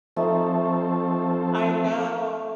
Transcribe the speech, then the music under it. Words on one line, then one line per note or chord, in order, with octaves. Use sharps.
I know.
F3 A3 C4 D#4 A4